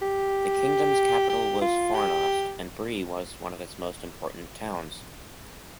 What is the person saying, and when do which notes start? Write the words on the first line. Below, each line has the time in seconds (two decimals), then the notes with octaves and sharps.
The kingdom's capital was Fornost, and Bree was one of its important towns.
0.02 G4
1.29 G4
1.62 F4
1.95 G4